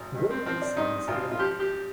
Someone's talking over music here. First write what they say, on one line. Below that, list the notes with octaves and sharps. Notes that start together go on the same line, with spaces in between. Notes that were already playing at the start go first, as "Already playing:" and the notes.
Wood and Sons Limited.
Already playing: G#1
G2
C4
F3 C4
D4
G2 D#4
G#1 F4
F4
F3 G4
G4